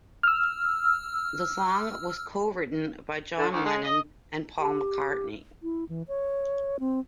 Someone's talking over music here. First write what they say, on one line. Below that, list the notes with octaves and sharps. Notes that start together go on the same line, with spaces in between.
The song was co-written by John Lennon and Paul McCartney.
E6 F6
D3
D2
G#3
D#5
G4
E4
E3
C#5
C4